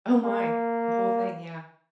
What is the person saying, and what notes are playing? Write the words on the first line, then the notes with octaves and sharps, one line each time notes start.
Oh my. The whole thing, yeah.
A#3